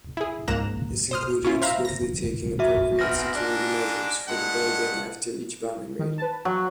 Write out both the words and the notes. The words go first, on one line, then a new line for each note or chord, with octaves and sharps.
This included swiftly taking appropriate security measures for the building after each bombing raid.
E4 G#4
C#2 G#2 A#3 A#5 F#6 E7
C5 D#6 F6
C#4 E4 F4
C5 E5 F5 A#5 B5
A#6
F#4 E5
G#2 B3 C4 F6 A#6
G#2 D4
G2 G#3 F#5
D#3
B4 A5
F#3